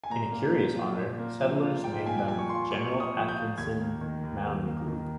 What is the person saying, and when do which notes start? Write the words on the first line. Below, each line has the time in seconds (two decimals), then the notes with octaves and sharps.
In a curious honor, settlers named them the General Atkinson Mound Group.
0.04 G#5
0.10 A#2 A#5
0.32 A#3
0.54 F3
0.76 F4
0.98 A#2
1.19 A#3
1.41 F3
1.63 F4
1.84 A#2 G5
2.06 A#3 G#5
2.18 G5
2.28 F3 G#5
2.39 C#6
2.49 F4 C6
2.71 A#2 C#6
2.92 A#3 C#6
3.00 D#6
3.14 F3
3.28 G6
3.36 F4
3.58 D#2 G#6
3.79 A#3
4.01 D#3
4.24 D#2
4.45 D#2
4.67 A#3
4.88 D#3